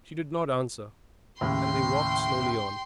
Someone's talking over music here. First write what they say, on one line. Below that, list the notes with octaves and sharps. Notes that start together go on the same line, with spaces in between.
She did not answer, and they walked slowly on.
D#2 A2 C#3 G5 C6